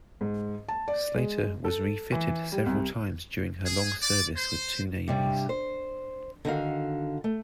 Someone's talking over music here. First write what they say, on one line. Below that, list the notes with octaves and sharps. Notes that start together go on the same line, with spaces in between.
"Slater" was refitted several times during her long service with two navies.
G#2
A5
D5
G#3
A4
E3
G3
C2
G#4
D5
C5
G2 C3 G3
C5
D3 D#3 F#4 F5
A3